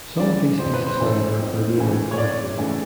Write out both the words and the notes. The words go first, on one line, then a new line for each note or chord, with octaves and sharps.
Some of these pieces, however, remain uncollected.
C#3 E3 A3 D5
F2 C5
B4
C5
C#3 E3 A3
F2
C#3 E3 A3
C#5
F2 D5
C#3 E3 A3